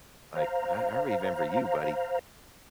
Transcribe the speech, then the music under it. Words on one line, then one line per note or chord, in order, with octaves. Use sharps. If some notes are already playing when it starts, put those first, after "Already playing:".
like, "I I remember you, buddy."
C5 F5 A#5